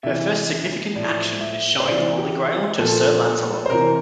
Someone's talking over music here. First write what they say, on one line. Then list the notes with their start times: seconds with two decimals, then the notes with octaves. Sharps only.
Her first significant action is showing the Holy Grail to Sir Lancelot.
0.03 C3 E3 E5
0.95 A2 F3 D5
1.41 E5
1.80 C5
1.87 C3 E3 D5
2.17 G4
2.79 A#2 F3 A4
3.66 C5
3.70 C3 E3 A#4